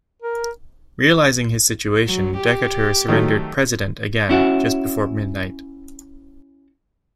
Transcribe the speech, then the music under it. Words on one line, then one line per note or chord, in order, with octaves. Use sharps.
Realizing his situation, Decatur surrendered "President" again, just before midnight.
A#4
F#3
G4
D#3 F#3 A3
C#4 E4 F#4